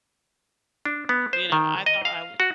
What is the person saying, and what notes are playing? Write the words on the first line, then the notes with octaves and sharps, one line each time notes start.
You know, I thought I wa
D4
B3
C5
D#3
D#5
F5
F#4